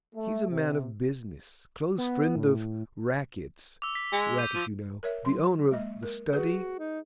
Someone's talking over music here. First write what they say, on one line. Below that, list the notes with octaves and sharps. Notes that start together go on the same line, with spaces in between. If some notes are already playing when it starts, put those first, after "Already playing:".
He's a man of business; close friend of Rackett's--Rackett, you know, the owner of The Study.'
A3
C3
B3
A2
D6 E6
B6
G#3
D6 G6 D#7
F3 D#7
A#4 C#5 E5
F#3 C6
G#3 A#3 D#5
A#4
F#4 G#4 B4
D#4